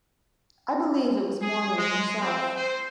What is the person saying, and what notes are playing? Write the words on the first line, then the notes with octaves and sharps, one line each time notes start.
I believe it was Morley himself.
G#4
G#3
C4
C5